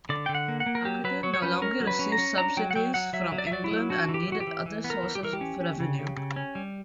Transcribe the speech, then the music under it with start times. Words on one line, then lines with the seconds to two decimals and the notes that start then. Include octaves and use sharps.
Aquitaine no longer received subsidies from England and needed other sources of revenue.
0.09 D3 D5
0.26 D3 G5
0.35 F#5
0.48 A#3
0.60 F#5
0.66 A#3
0.75 A#4
0.85 F#3 G4
1.04 F#3 B4
1.23 F#3 C#5
1.34 C#5
1.42 C#4 B4
1.62 C#4 A#4
1.80 F#3
1.87 B4
1.99 C#4
2.12 A#5
2.18 C#4
2.38 D4 A#5
2.57 F#3 G5
2.71 F#5
2.75 F#3 G5
2.94 F#3 F#5
3.13 F#3 E5
3.32 F#3
3.38 D5
3.47 E5
3.51 F#3 D5
3.64 E4
3.71 F#3
3.90 D4 F#4
4.08 E3
4.14 G4
4.28 E3 F#4
4.40 G4
4.47 E3
4.66 E3
4.84 B3
4.90 A#4
5.03 E3
5.15 G4
5.23 E3 A#4
5.33 G4
5.41 C#4
5.60 C#4
5.80 C#3
5.99 C#3
6.17 C#3
6.36 C#4
6.55 G3